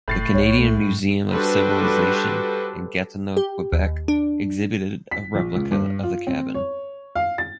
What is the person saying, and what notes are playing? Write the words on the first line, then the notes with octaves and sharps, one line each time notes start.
The Canadian Museum of Civilization in Gatineau, Quebec, exhibited a replica of the cabin.
F#1 A2 A6 C7
B1 C#5
A3
G#2
G3 D4 F#4 A4 B4 C5
G4
D#2
D4
B6
A#1
C#2
G2
F4
C4
C#5
F5
A6